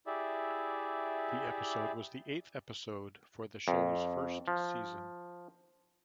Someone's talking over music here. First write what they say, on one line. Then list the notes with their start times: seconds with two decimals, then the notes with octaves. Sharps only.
The episode was the eighth episode for the show's first season.
0.07 E4 G4 G#4 D5 E5
3.68 F2
4.48 F3